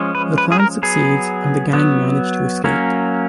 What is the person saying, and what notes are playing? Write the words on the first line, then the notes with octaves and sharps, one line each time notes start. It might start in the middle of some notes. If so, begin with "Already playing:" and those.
The plan succeeds, and the gang manage to escape.
Already playing: F3 G#3 C#4
B4
B4
G#4
A#4
F#3 B3 G#4
F#3 B3
F#3 A#3 C#4